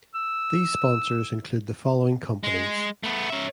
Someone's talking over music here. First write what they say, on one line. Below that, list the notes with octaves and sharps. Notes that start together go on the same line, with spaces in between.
These sponsors include the following companies.
E6
G#3
A3 B3
C#4 E5